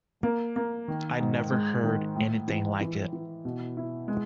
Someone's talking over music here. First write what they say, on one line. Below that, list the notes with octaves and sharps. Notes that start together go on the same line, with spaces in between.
I never heard anything like it.
A#3
A#3
D#3
G#2
G#3
D#3
A2
E3
E3
E3
B2
E4
G#3